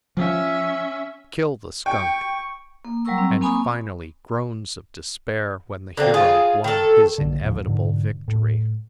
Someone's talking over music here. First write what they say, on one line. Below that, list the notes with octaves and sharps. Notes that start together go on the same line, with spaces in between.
"Kill the skunk!" And finally groans of despair when the hero won his inevitable victory.
F3 C#4 E5
G5 C#6
A#3
F#3 G3 A#4 A#5 C#6 E6
C4
A#3 C4 G#5 B5 C#6 D#6
D3 A#3 C4
F4 G#4
D#3 A4
A#1 D3
D#1 A1 A#2 F3
G#2 B2 D3
A2